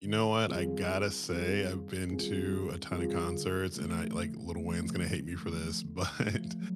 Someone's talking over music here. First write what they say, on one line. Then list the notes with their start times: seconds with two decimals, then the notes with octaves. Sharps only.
You know what, I gotta say, I've been to a ton of concerts, and I like, Little Wayne's gonna hate me for this, but
0.05 D#3
0.46 G3 C4 F4 G#4
0.87 D#3
1.27 G3 C4 F4 G#4
1.68 D#3
2.09 G3 C4 F4 G#4
2.49 D#3
2.91 G3 C4 F4 G#4
3.33 D3
3.73 F3 A3
4.14 D3
4.55 F3 A3
4.96 D3
5.37 F3 A3
5.78 D3
6.19 F3 A3
6.60 F#3